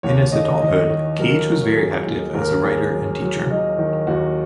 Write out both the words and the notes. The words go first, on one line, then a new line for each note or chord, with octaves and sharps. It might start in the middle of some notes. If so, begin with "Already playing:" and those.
In his adulthood, Cage was very active as a writer and teacher.
D#2 C#5
D#2 D#5
D#3 D#5
D#3
F#3 A#4
F#3
F#3 G#4
D#2
D#2 A#4
D#2 G#4
F#3
F#3
F#3 D#4
D#3
D#2 F#4